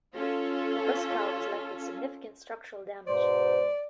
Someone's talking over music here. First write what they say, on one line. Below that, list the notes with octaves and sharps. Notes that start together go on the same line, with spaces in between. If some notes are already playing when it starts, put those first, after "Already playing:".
The first car was left with significant structural damage.
C#4 F4 A4
G#2 B2 C5 D5